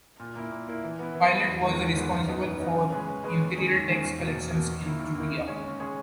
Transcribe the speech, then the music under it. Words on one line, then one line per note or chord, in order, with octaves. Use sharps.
Pilate was responsible for imperial tax collections in Judaea.
A#2
A#3 E4
A#2
A#3 E4
E3
B3 E4
E3
B3 E4
E2
D#3 G#3 B3
E2
D#3 G#3 B3
F#2
E3 B3 D#4
F#2
E3 B3 D#4
C#3
G#3 C#4 G#4 B4
C#3
G#3 C#4 G#4 B4
D#2
D#3 G#3 C#4 G#4
D#2
D#3 G#3 C#4 G#4
E2
B2 A#3
E2
B2 A#3
D#2
D#3 A#3 E4
D#2
D#3 A#3 E4
C#3
G#3 C#4 G#4 C#5
C#3
G#3 C#4 G#4 C#5